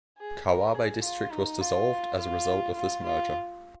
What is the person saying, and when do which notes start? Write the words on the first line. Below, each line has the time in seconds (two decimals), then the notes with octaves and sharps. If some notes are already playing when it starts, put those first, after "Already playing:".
Kawabe District was dissolved as a result of this merger.
0.18 G#4
0.46 A#4
0.74 G#4
1.03 F4
1.32 D#4
1.60 F4
2.18 F4
2.75 F4
3.03 F4